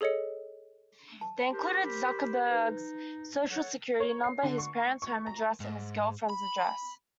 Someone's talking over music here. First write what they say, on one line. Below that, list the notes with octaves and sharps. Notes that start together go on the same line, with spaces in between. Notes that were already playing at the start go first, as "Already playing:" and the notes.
They included Zuckerberg's Social Security number, his parents' home address, and his girlfriend's address.
G#4 A4 C#5 D#5 C#7
A5
G4 A#4 C5
B5
D#4 B4
A4 C#5 F#5
C#5
C7
D3
C#6
C#6
A#5
G#2
B5